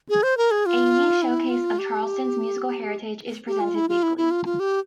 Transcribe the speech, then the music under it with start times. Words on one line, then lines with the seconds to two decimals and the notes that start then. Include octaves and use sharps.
A unique showcase of Charleston's musical heritage is presented weekly.
0.09 G#4
0.23 C5
0.37 A#4
0.51 G#4
0.66 F4
1.22 E4
1.49 F4
1.79 G4
3.47 G4
3.61 F4
3.75 E4
3.89 F4
4.03 E4
4.17 E4
4.31 F4
4.45 F4
4.60 G4